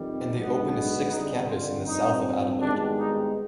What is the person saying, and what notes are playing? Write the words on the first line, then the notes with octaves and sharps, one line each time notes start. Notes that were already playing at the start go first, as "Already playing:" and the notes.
And they opened a sixth campus in the South of Adelaide.
Already playing: F2 C3 D#3 G3
B1 B2 G#3 B3 D4
F2 D3 G3 D4 D#4
F4
G2 F3 C4 D#4
G#1 G2 D#3 G#3 B3 D4
D#4